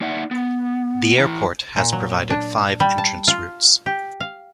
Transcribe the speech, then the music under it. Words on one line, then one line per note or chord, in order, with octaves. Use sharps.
The airport has provided five entrance routes.
A#3 D#4 D5 E5 F#5
B3
E3 E4 A#5
A#2
F#3
D4
G3
A5
F4
G4
F5